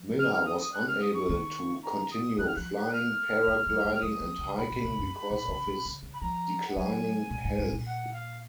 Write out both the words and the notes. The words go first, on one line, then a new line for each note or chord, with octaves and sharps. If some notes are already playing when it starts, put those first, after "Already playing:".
Miller was unable to continue flying, paragliding and hiking because of his declining health.
Already playing: F3
F6
F6
D#6
D#6
F#6
F6
D#6
C#6
D#3
A#5
D#6
D#3 F#6
F6
F3 F#6
F6
G#3
F#3
G#3
F6
F#3 D#6
F3
C#3
B2 B5
A#2
C#3
F#2
B2
C#3
B2
C#3
C#3
B5
F3 A#5
F#5
F#3 G#5
B2
G#2
G#2
A#2
F#5
F5